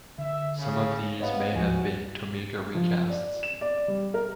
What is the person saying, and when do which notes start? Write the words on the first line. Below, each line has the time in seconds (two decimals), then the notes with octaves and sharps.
Some of these may have been Tomica recasts.
0.18 D3 E5
0.59 C#3
1.20 C3 B3 C#5 D#5 F5
1.55 D2 F3 F#4 G#5
2.75 F3
3.09 D5
3.43 E7
3.61 D5
3.88 G3
4.14 A#4